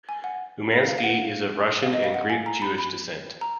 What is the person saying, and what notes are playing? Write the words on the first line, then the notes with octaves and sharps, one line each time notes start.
Umansky is of Russian and Greek Jewish descent.
G#5
F#5
F5
F5
F#5
F5
D#5
F5
F#5
G#5
A#5
B5
B5
A#5